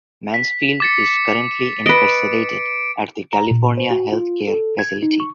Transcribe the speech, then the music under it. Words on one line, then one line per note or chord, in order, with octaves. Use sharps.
Mansfield is currently incarcerated at the California Health Care Facility.
B6
D6 A6 C#7
B4 D#5 D7
A#5
A#2
C5
F#4
F4
A4
G#6
D#4
C#6